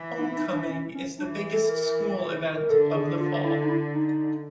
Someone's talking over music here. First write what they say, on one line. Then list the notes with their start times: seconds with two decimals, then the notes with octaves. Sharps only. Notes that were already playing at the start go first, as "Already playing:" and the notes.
Homecoming is the biggest school event of the fall.
Already playing: E3
0.18 D#4
0.36 D#4
0.52 D4
0.69 C#4
0.94 C#4
1.18 E3 D4
1.36 G4
1.52 A4
1.63 A4
1.69 A#4
2.56 A#4
2.70 D3 A4
2.95 G#4
3.19 F4
3.44 E4
3.63 D#4
3.69 E4
3.95 D#4